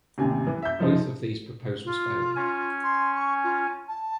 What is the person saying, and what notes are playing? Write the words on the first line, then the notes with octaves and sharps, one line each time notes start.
Both of these proposals failed.
A1 D#2 C3 G#5
E3
E5 G6
F#2 F3 D#4
F4
C#4 G#5
C6
C#6
F4
A5